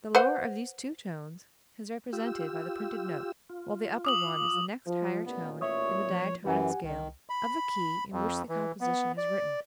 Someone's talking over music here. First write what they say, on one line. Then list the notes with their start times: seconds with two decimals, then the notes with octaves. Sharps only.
The lower of these two tones is represented by the printed note, while the upper one is the next higher tone in the diatonic scale of the key in which the composition is written.
0.15 B4 C5 F#5
2.13 F4 G4 E6
3.50 F4
4.05 D6 D#6 F#7
4.86 F3
5.25 A1 A#2 B3
5.61 C#5 E5 C#6 D#6
6.10 F3
6.45 F#2 E3 G4 F#5 G#5
6.84 C2 D#3
7.29 B5
8.12 F2
8.49 E3
8.81 B3
9.18 D5